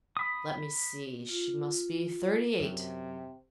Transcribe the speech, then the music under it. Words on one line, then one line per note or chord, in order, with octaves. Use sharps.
Let me see--she must be thirty-eight.
B5 D#6
F4
F#2 C3